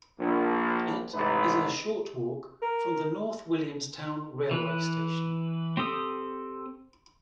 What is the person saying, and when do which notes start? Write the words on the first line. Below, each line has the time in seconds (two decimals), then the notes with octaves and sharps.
It is a short walk from the North Williamstown railway station.
0.20 A#1
1.14 A1 G#2 C3 D#4 B4
2.62 A#4
4.51 E3 B4
5.77 C4 G4 A4 D#6